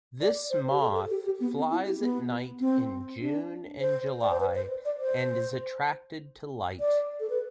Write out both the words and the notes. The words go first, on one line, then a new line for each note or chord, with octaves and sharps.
This moth flies at night in June and July and is attracted to light.
D5
C5
G4
A4
A4
G4
G4
B3
C4
E4
G4
B3
C4
D4
C5
D5
C5
B4
C5
D5
C5
D5
A4
B4